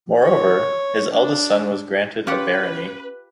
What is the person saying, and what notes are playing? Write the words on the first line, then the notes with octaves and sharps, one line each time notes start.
Moreover, his eldest son was granted a barony.
C#5
D4
C#4 F4 G4 B4 F#5